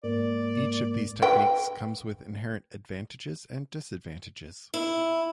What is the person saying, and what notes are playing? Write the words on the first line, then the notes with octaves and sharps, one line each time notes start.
Each of these techniques comes with inherent advantages and disadvantages.
G#2 A#3 D5
B4 G5
E4